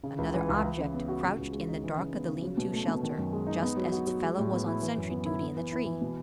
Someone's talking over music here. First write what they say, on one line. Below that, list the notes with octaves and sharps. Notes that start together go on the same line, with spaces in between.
Another object crouched in the dark of the lean-to shelter, just as its fellow was on sentry duty in the tree!
C#3
C#2
E3
C#2
E3
C#3
B3
F#4
C#3
C#2
G#3
D#4
E3
C#3
B3
C#3
F#3
B2
A3
B2
D#3
F#2
G#3
D#4
B3
F#3
F#4
F#3
G#3
A2
B3
E4
E3
F#2
B3
E4
B3
E3
E4
E3
B2